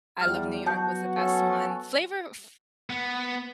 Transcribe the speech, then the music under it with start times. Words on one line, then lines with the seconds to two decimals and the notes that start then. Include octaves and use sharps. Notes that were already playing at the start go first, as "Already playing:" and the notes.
I Love New York was the best one. Flavor Fl
0.21 E2 G3 F6
0.67 F#3 B3 F#4 A5 G6
1.16 C#4 A4
2.90 B3